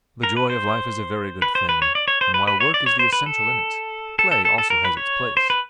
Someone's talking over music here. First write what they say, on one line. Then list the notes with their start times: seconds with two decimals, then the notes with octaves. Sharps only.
But the joy of life is a very good thing, and while work is the essential in it, play also has its place.
0.23 A#4
0.37 B4
0.50 C5
1.42 B4
1.55 C5
1.69 B4
1.82 C#5
1.95 D5
2.08 C#5
2.21 C5
2.34 B4
2.47 B4
2.60 C#5
2.74 D5
2.86 C#5
2.99 C5
3.13 B4
3.26 A4
4.19 A4
4.31 A4
4.45 A4
4.58 A4
4.70 A#4
4.85 B4
4.97 C#5
5.37 C5
5.50 B4